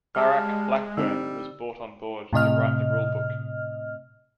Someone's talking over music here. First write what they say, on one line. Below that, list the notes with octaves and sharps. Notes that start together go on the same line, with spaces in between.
Barak Blackburn was brought on board to write the rulebook.
G3 G#3 A5 F6
D3 G3 C4 D#4 E6
A2 C3 D#5 F6